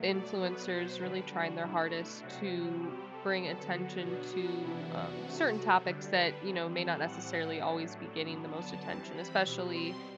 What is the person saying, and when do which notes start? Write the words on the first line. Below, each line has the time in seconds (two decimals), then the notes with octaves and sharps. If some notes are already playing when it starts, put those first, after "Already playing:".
influencers really trying their hardest to bring attention to, um, certain topics that, you know, may not necessarily always be getting the most attention, especially,
Already playing: B2 F#3 A3
0.11 D5
0.41 B2 F#3 B3 B4
0.71 C5
1.01 D3 G3 D4 B4
1.32 F#4
1.62 B2 A3 D4 E4
2.22 C3 F#3 C4 F#4
2.52 F#4
2.82 C3 G3 C4 G4
3.12 A4
3.42 D3 F#3 B3 A4
3.73 F#4
4.02 B2 F#3 B3 D4
4.33 F#4
4.63 C3 E3 B3 D4 E4
4.93 F#4
5.23 C3 F#3 A3
5.83 D3 G3 D4
6.13 B4
6.44 E3 G3 C4
6.74 A4
7.04 A2 E3 G3 C4 F#5
7.64 A2 F#3 A3 D4
8.25 D3 F#3 B3 D4
8.54 A5
8.84 E3 G3 C4
9.15 B5
9.45 B2 G3 C4
9.75 C6